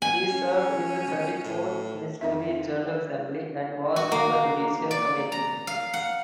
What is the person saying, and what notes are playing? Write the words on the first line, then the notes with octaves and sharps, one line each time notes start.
He served in the thirty-fourth Missouri General Assembly, and was on the Judicial Committee.
A#3 G#5
C#4
A2
F2 D#4 E5
F#4
A#3
D5
A#5
F5
F#5